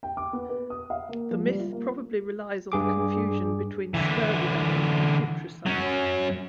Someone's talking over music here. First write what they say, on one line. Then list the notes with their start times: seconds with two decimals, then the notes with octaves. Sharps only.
The myth probably relies on the confusion between spermidine and putrescine.
0.03 G5
0.17 D6
0.33 B3
0.49 B4
0.70 D#6
0.90 F5
1.09 A#3
1.31 F3
1.46 G3
1.60 F4
1.73 A#3
2.72 G2 G#4 D6
3.94 D3 E3
5.66 F#3 C#4